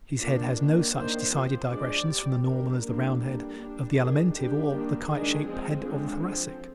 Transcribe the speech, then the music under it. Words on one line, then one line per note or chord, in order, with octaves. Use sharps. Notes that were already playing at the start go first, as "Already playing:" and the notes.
His head has no such decided digressions from the normal as the round head of the Alimentive or the kite-shaped head of the Thoracic.
F3 A#3 D4
D#3 A#3 D4
D#3 A#3 D4 C5
F3 C4
F3 G#3 D4 D5
G3 C4
G3 D4 A#4
D3 F3 A#3 D4
G3 A#3 D4
G3 D4
D#3 G#3 D4 G#4
G3 D4 G4
D#3 G3 A#3 D4
D#3 G#3 D4 G#4
F3 G#3 C4
D3 F3 G#3 C4
F3 C4